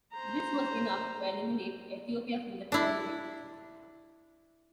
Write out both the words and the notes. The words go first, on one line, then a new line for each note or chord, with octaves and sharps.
This was enough to eliminate Ethiopia from the tournament.
C5 A#5
D4 E4